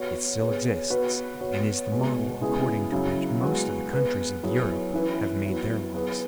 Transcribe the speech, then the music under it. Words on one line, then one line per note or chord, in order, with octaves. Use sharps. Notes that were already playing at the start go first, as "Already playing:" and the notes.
It still exists, and is the model according to which most of the countries of Europe have made their laws.
Already playing: B3 F#4 C#5
B3 G#4 C#5
B3 F#4 B4
B3 F#4 C#5
B2 G#3 B3
C#3 G#3 B3 E4 G#4
C#3 F#3 E4
G#3 B3 F#4
B3 G#4 B4
F#3 B3 E4 G#4 C#5
E3 C#4 E4 B4
F#3 B3 E4
B3 G#4 B4